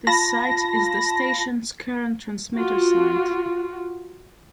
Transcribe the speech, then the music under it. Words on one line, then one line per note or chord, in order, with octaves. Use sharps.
This site is the station's current transmitter site.
F4 A5 B5 A#6
F4 F#4